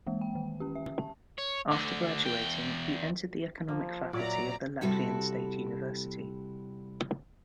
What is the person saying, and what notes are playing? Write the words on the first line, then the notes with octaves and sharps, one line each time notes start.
After graduating, he entered the economic faculty of the Latvian State University.
E3 G#3 A#3
G5
D#3
C#4 G4
E5
A5
C#5
D2 D3
E2 G5
F3 A#3
A#2 F#3 C#5 D5 E5 A#5
C3 G3 E4 F#4 A4